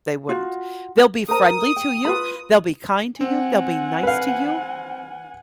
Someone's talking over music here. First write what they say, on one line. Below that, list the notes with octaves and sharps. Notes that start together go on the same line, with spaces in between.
they wouldn't. They'll be friendly to you, they'll be kind to you, they'll be nice to you,
F4 F#4
A#4 C5 A#5 D#6
G5
F4 B4 B5
C4 F#5 G#5
B4 F5